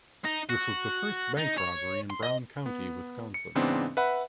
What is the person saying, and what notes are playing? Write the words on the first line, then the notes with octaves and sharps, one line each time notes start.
This was the first bank robbery in Brown County, Wisconsin.
D#4
F#4
D#4
C#5
C6
D#5
B3
C#7
G#2 C#3 E3 B3 C4 D4
B4 E5 F#5 B5